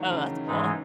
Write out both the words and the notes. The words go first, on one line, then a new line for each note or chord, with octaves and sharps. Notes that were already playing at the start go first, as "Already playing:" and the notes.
Oh, that's cool.
Already playing: D#3 E3 F#3 A3
C#3
D#3
G#2 E3 G#3 D#4